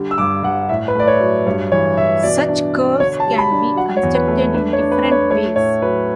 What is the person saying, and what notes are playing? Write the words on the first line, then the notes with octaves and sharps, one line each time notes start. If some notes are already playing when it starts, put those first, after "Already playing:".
Such curves can be constructed in different ways.
Already playing: D3 G3
E6
G2 D6
G2 F#5
A2 E5
B4
A3 D5
C#5
F#3
G2 C#5
E3 C#5
E3 E5
B2 D5
D4
B2
D3 C#5
A5
G3
B5
D4
F#3 F#5
C#5
E2
B4
A3
D4 B4
C#5
D4
B4
D4
C#5
A3 C#5
A2 C#5
F#3 B4